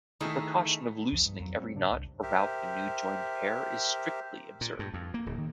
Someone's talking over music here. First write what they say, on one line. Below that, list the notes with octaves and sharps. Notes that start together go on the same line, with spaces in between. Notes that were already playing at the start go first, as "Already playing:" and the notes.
The precaution of loosening every knot about the new-joined pair is strictly observed.
D#3 A3 D#4 E4 G#4
C2 F2 E3 F3
G2
F2 F#3
G3 C4 C#4
G#2 C#3 D4
C2
G4 A#4 C5 E5
A#2
G2
F2
A#3
D1
D#3